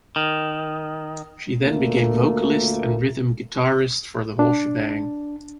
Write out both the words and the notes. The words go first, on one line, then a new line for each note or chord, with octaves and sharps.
She then became vocalist and rhythm guitarist for The Whole Shebang.
D#3
D2 A#2 A3 A#3
D4